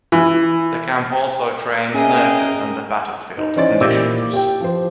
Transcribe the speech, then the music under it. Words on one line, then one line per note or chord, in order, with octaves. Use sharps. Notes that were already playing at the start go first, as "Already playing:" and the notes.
The camp also trained nurses under battlefield conditions.
E3
C#4 G#4 A#4 D#5 E5 G5
D#4
E3 C#4 C5 D5 D#5 A6
A#2 E4 G4 D6 E6 G6
G4 G5
F3 C5